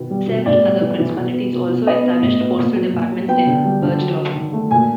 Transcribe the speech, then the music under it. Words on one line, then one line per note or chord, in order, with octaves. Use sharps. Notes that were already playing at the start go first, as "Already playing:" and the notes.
Several other principalities also established postal departments in Bergedorf.
Already playing: B2 D#3 B3
G3
B2
A2 D5
G3
E3
E3
B2
B3
B2
B2
B3 D#5
B3
A2
B3
A#2
F#3
A#2
F#3
B3 G5
D3
G3
D3
F#3
F#3
D#3
A3
A#2 G#5